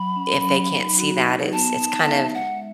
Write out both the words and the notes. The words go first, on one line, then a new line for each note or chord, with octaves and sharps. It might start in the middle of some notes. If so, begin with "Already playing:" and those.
if they can't see that, it's it's kind of
Already playing: F#3 B5
C#4
F#3
D#4
F#4
D#4
B3 A5
D#4
E5
G#3 F#5